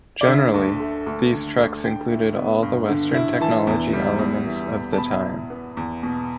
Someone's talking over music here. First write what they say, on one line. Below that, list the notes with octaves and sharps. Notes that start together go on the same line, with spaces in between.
Generally, these trucks included all the western technology elements of the time.
D5
D3 E5
D2
A3
D2
D3
D2
D3 G5
E4
B3
G2
D3
E4
E3 A5
E2
G3
E2
E3
E2
A5
B2 B5
E4
B3
E2
B2